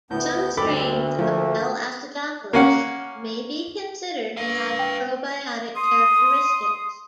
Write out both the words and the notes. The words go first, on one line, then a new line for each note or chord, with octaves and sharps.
Some strains of "L. acidophilus" may be considered to have probiotic characteristics.
D2 A2 B3 G6
D2 G3 G#3 C4 A4 B5 D6
F3 A3 A#3
A#3 C#4 F#5
B4 F5
G5
C6 D#6